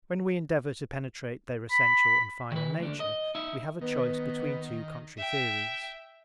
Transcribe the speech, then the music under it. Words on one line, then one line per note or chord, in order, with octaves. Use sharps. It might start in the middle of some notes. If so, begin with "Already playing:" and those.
When we endeavour to penetrate their essential and final nature, we have a choice between two contrary theories.
B5
D#3 B4
D2 D4
D#5
D#4 E5
D#3 B3
E5 G5